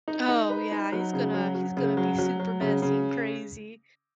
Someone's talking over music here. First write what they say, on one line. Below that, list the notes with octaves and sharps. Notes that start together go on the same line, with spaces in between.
Oh, yeah, he's gonna he's gonna be super messy and crazy.
D#4
D#4
B4
D#4
F#3
C#3
F#3
F#3
C#3
F#3
F#3
F#3
C#3
C#3